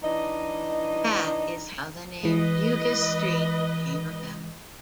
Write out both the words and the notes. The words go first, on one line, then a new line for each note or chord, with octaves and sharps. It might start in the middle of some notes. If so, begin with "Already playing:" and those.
That is how the name Bugis Street came about.
E3 D4 D#4 D#5
E3 G#3 B4 D#5